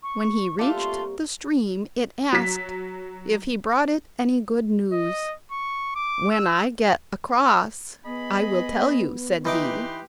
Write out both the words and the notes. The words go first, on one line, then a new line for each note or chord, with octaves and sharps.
When he reached the stream it asked if he brought it any good news. 'When I get across I will tell you,' said he.
C#6
G3 A3 A#3 F4 G4 D6
C3 C6 C#6
F#3 B6
D#5
C#6
D6
E6
B3 G#4 D#5 B5
E3 D#4 G4 B4 C6 D6